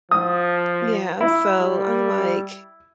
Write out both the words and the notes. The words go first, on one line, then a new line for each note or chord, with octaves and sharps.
yeah, so I'm like,
F3 D#6
E4
G3